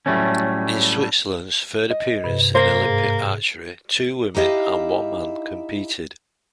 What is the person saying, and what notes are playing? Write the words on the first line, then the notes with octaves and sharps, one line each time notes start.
In Switzerland's third appearance in Olympic archery, two women and one man competed.
A2 F#3 G3 A3 C4 C#4
D#5
G2 C3 B4
A#3 C5
G#2 G#4
D#4 E4 G4 D#5 F5